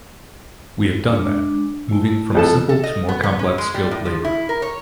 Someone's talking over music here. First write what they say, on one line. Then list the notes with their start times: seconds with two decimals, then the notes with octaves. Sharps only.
We have done that, moving from simple to more complex skilled labor.
1.10 G#3 D4
1.89 A3 E4
2.35 F2 A4 A5
2.69 A4
2.84 D#5
3.09 B3
3.23 B3
3.39 C#4
3.58 G#3
3.74 G3
3.91 A2
4.06 F3
4.25 E4
4.49 A#4
4.62 C#5